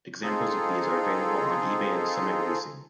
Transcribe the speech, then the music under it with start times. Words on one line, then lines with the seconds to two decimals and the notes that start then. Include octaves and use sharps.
Examples of these are available on eBay and Summit Racing.
0.23 C4 D#4 F4 G#4 A4